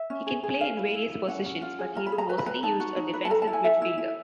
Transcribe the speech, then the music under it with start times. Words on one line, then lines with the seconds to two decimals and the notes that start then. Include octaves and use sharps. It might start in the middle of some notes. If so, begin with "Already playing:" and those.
He can play in various positions but he is mostly used a defensive midfielder.
Already playing: E5
0.10 C#4
0.27 G#4
0.43 G#4
0.60 B4 F5
0.77 E4
0.94 E4
1.12 E4
1.28 C#4 F#5
1.45 C#4
1.62 F4
1.79 G#4
1.95 F4 A#5
2.06 B5
2.12 G#4
2.18 A#5
2.29 B4 A#5
2.38 B5
2.47 B4 A#5
2.63 D#4 A5
2.80 F#4
2.97 D#4
3.14 B4
3.25 A5
3.30 A4 A#5
3.42 A5
3.47 E4
3.53 G#5
3.64 A4 E5
3.82 E4
3.98 E4